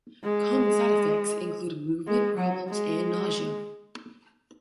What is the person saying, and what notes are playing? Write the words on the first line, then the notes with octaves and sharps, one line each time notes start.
Common side effects include movement problems and nausea.
G#3
G#3
F#3
G#3